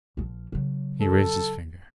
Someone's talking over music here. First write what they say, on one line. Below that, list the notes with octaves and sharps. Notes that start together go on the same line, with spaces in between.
He raised his finger.
A#1 F3
C#3 F#3
A4